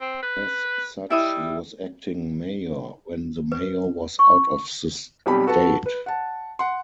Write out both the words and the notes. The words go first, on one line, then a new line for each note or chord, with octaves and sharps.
As such he was acting mayor when the mayor was out of the state.
C4
B4
G3 E4 E5 D#6
B4
C#6
B1 F2 G3 G4 B5
F#4 A4 B4 F#5 A5
B4
F#5 A5
F#5 C6